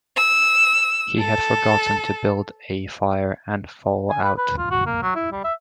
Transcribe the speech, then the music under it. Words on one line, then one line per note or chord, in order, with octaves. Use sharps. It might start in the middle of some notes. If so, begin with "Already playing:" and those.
He had forgotten to build a fire and thaw out.
E6
A4
G#5
B4
B4
F4
F#4
A#3
F#3
E4
G3
E5